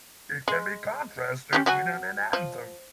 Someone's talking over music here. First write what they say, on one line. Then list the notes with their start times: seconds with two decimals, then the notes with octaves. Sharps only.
It can be contrasted with an enanthem.
0.48 G#3
1.53 C#4 F4 G4
1.66 F#3 F#4 G#5
2.33 F3